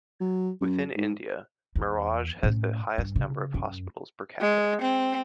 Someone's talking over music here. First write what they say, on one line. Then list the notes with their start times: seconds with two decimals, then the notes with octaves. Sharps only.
Within India, Miraj has the highest number of hospitals per capita.
0.20 F#3
0.61 F#2
0.96 G#2
1.76 E2
2.43 A2 C#4
2.98 G2
3.16 C#3
3.54 F#2
4.41 G#3
4.82 C4